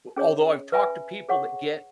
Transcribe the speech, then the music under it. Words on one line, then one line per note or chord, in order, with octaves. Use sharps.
although I've talked to people that get
C#4 G#4 C#5
B4 E5 G#5 B5
G#4 C#5 F#5 C#6